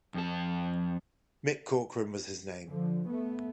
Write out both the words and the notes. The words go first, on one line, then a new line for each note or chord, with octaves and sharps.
Mick Corcoran was his name.
F2 A4
D3 F3
A3 B3